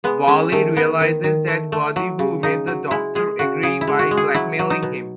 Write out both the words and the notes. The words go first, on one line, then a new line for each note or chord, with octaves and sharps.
Valli realises that Vadivu made the doctor agree by blackmailing him.
G#3 B3
G#3 C#4
D#3 A3
D#3 B3
D#3
D#3
A3
A3
F#3
C#3
C#3 D#4
F#3
G#3 E4
G#3 G#4
C#3 F#4
C#3 G#4
E4
G#3
F#4
G#3
G#4
F#3 E4
F#3
D#4
B2